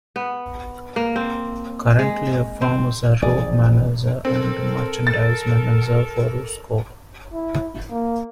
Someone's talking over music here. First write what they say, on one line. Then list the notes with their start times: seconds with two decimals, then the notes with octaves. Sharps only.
Currently, Efrem is the road manager and merchandise manager for Rusko.
0.16 B3
0.96 A#3
1.16 C4
1.99 G#3
2.62 C4
3.22 A1 F3 G#4 D5
4.25 C4 A4 A#4
5.07 A6
7.33 E4
7.90 A#3